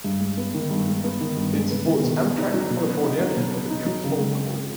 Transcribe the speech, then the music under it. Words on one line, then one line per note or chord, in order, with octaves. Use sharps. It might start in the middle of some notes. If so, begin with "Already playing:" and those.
It supports Amtrak California and the "Capitol Corridor".
G2
G#3
B3
D#3
G2
G#3
B3
D#3
G2
G#3
B3
D#3
B2
B3
D#4
F#3
B2
B3
D#4
F#3
B2
B3
D#4
F#3
C#3
G#3
C4
F3